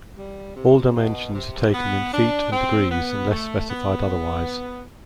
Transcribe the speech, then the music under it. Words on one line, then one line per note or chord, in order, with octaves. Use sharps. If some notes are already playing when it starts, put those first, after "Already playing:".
All dimensions are taken in feet and degrees unless specified otherwise.
G3
C3
B2
C3
B3
D4
C4
B3
A3
B3